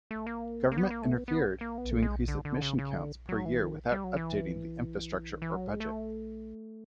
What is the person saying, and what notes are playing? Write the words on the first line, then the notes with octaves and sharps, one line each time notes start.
Government interfered to increase admission counts per year without updating the infrastructure or budget.
A3
A#3
A#3
B3
A#3
A3
B3
B3
A#3
B3
A3
G#3
D3
D3
C#3
C#3
D3
F#3
E3
D#3
G3
F#3
E3
D#3
E3
F#3
G#3
A3